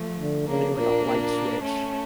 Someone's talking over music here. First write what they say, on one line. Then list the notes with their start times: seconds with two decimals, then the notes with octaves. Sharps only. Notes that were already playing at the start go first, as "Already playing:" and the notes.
I get, like, a light switch,
Already playing: F3 A3
0.19 D3
0.49 C#3 A#3 D4
0.76 A#2 A#3 D4
1.06 A#2
1.63 A3 C#4